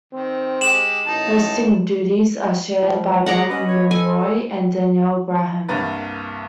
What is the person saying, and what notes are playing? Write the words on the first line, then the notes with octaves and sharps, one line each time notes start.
Hosting duties are shared by Ben Mulroney and Danielle Graham.
D#3 C4
G#3 G4 E7 F#7
A1 D#4 A#4 A5
F3 G#3
G#4 F#5 A#5 D6
C#4 B4 D#5 B5
C#5
A4 G#5
C2 G2 A#3 B4 A#5 A6